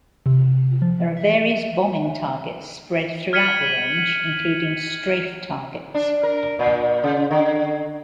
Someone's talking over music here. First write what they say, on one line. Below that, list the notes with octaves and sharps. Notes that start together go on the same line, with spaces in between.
There are various bombing targets spread throughout the range, including strafe targets.
C3
F3
E5
F6 G#6 B6 C#7 D#7 F#7
D4
A#4
A#2
C#3
D3